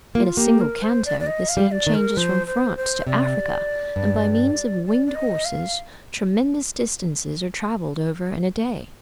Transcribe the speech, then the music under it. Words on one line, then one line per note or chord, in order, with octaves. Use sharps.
In a single canto the scene changes from France to Africa, and by means of winged horses tremendous distances are traveled over in a day.
A#3 F4
A#3 G4
A#4
C5
D5
D5
D#5
F5
G3
D5
D#3
A#4
F3 C5
C5
C5
C3 D5
G2
D5
D5
D#5
F5